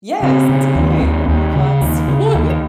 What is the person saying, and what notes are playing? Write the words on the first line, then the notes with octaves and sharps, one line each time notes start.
Yes, good, I'm glad someone
C#3 C4
C#3
D#2
D#2
D#2
C#3
D#2
C#3
D#2